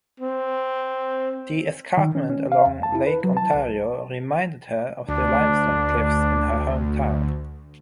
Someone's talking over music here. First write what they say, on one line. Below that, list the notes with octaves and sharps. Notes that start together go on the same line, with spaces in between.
The escarpment along Lake Ontario reminded her of the limestone cliffs in her hometown.
C4
D#3
C#4
C#4
F5
E2
A5
E4
B4
F#3
A5
C2
D2 D4